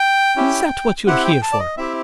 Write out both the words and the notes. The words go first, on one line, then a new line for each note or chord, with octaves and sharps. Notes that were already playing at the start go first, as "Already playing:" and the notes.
Is that what you're here for?
Already playing: G5
C#4 E4 G4
C4 E4 G4 F#5
G5
A5
D5
D#5
C4 E4 G4 E5